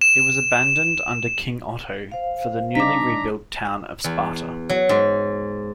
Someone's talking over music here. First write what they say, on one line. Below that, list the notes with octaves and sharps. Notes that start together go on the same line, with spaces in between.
It was abandoned under King Otto for the newly rebuilt town of Sparta.
E7
C5 F5
G3 D4 D#4 A#5 D6 B6
E2
F#3
G#2